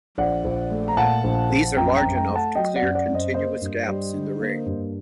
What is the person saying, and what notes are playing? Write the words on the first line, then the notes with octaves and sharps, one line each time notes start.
These are large enough to clear continuous gaps in the ring.
A#1 D5 F#5
A#1
A3
A#5
A#2 F#5 A5
A#1
A#1
F#2 G5 A#5
G5 A#5
F#2
G5 A#5
A3
F#5 A5
F#3 D#5 G5
D5 F#5
F#2
D5 F#5
F#2
C5 D#5
A#3 C5 D#5
G2
G3
D3
A#3
G2